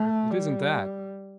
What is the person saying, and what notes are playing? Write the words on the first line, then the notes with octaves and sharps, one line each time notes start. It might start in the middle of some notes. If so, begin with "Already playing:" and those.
"It isn't that."
Already playing: A3
G3